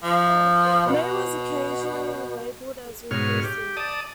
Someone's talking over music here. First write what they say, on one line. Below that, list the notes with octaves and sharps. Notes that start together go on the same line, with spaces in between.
May was occasionally labeled as reclusive.
F3
B2
G#2 B2 C#5 F6
G4
D5 A5 D#6